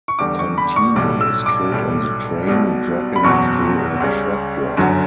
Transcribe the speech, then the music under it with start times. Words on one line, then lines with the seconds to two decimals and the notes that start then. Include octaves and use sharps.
Contini is killed on the train, dropping through a trap door.
0.08 C#6
0.19 E2 D3 G3 D6
0.39 C#6
0.58 B5
0.76 C#6
0.96 B1 A2 G3 D6
1.21 E6
1.46 D6
1.72 B1 A2 G3
2.47 B1 B2 G3
3.16 B5
3.23 F#1 E2 B2 F#3 C#6
4.00 C#2 C#3 G3
4.77 G1 F#2 D3 F#3